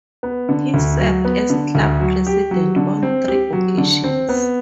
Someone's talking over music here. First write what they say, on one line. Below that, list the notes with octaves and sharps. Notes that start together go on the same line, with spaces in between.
He served as club president on three occasions.
B3
D3
D2
F#3
B3
D3
D2
F#3
G4
F#3
D3
C4
G4
F#3
D3
C4
B3